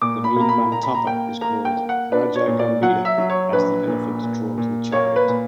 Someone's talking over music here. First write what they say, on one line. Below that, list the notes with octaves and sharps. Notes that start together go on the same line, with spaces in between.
The main mantapa is called Raja Gambira as the elephant draws the chariot.
A#2 D6
B5
A#3 A#5
B5
A#2 A#5
B5
A#5
A#3 G5
A#3 A#5
G5
A#3
F#5
D4 B4
C#5
A#2
D5
F#3 F#5
E5
F#3
C#5
A#1 B4
A#2
A#2
A#2
A#3 C#5
B4
A#2